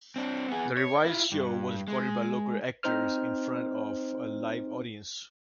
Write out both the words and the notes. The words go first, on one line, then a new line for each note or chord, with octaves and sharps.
The revised show was recorded by local actors in front of a live audience.
C4 D4
B3 G#4
C#5
E4 F4
G2
G#3
C4 D#4 C5 F6